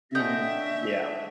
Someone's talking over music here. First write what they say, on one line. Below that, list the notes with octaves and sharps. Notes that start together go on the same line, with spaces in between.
Mhm, yeah.
D3 C#4 D#5 E5 G5